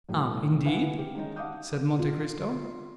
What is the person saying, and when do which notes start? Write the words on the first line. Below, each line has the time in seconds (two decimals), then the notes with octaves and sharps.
"Ah, indeed?" said Monte Cristo.
0.09 F#2 A2 E3 F#3 G3
0.65 E4 B4 F5 F#5 G#5
0.99 G4
1.15 D#3 G#3 C#4 D#4
1.36 F5 F#5 A5 D6 D#6 G6
1.99 F4